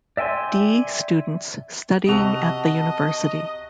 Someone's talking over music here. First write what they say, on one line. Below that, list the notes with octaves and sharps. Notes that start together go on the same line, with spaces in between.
D. students studying at the university.
D5 E5 G5 G#5 C6
C3 F#4 D#5 E5 A5 F7